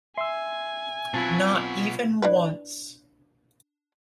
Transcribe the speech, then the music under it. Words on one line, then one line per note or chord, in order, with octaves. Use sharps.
Not even once.
E5 G#5 C6 E6 G#6
B2 F#3 C4 E4 F4 A5
D4 E4 B4